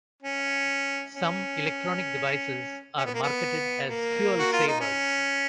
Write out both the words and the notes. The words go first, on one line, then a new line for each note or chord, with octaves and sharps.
Some electronic devices are marketed as fuel savers.
C#4
C#4
C#4
B3
A#3
B3
A#3
F#4
F4
D#4
C#4